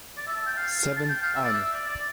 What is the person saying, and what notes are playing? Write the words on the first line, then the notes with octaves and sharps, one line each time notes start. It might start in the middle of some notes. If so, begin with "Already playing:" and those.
Seventh Army.
D5
E5
A5
G5
F5
A5
G5
F5
E5
D5
E5
D5
D5